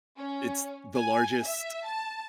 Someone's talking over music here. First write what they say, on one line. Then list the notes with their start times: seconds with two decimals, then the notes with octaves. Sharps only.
It's the largest
0.17 C#4
0.95 G#5
1.43 E5
1.85 A5